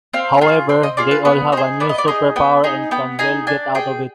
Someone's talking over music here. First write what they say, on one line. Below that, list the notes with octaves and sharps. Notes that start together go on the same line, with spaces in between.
However, they all have a new super power and can well get out of it.
C4 F5
F4 G#4
C4 G5
D#5
F4 G#4 D5
B4
B3 B4
D#4 G#4 C5
B3 D5
D#5
D5
D#4 G#4 D#5
B3 G5
D#4 G#4
B3 G5
D#4 G#4 G#5
D4 G#5
G#4 G5